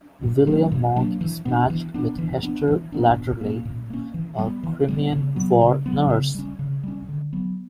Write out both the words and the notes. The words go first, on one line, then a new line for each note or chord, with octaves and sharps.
William Monk is matched with Hester Latterly, a Crimean War nurse.
A#2
F#3 A#3 D4
A#2
F#3 A#3 D4
E3
B3 D4
E3
B3 D4
E3
B3 D4
E3
B3 D4
A#2
A#3 C#4
A#2
A#3 C#4
E3
G3 B3
E3
G3 B3
C#3
F#3 B3
C#3
F#3 B3
C#3
G3 C#4
C#3
G3 C#4
D3
F#3 B3